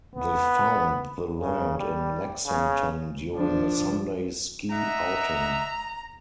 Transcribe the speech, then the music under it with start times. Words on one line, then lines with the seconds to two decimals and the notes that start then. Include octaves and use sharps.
They found the land in Lexington during a Sunday ski outing.
0.16 B3
1.39 C#3
1.78 G3
2.47 C#3
3.37 F3 D4
4.71 D#5 E5 F#5 A#5